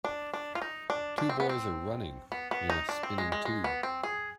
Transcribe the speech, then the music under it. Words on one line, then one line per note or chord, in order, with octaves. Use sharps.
Two boys are running in a spinning tube.
D4
D4
F4
D#4
D4
D4
C4
B3
C4
B3
B3
D#4
D4
C4
G#3
G#3
G#3
B3
C4
G#4